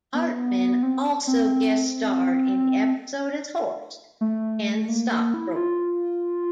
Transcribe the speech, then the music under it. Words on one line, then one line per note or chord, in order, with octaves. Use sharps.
Hartman also guest-starred in the episode as Horst and the stockbroker.
B3
C4
C4
A3
A#3
A#3
E4
F4